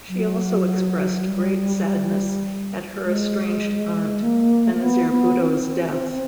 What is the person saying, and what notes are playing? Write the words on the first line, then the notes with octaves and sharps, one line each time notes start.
She also expressed great sadness at her estranged aunt, Benazir Bhutto's death.
F#3
G3
G#3
A#3
A3
A#3
B3
B3
C4